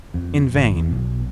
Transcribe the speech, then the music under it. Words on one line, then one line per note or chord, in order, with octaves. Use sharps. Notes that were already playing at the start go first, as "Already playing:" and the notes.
In vain.
F2
G#1
E2
B1